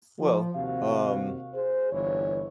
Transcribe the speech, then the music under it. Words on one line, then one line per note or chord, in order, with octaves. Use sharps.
Well, um,
F3
D#2 C3 F#4 F5
G#4 C5
G1 E3 C#5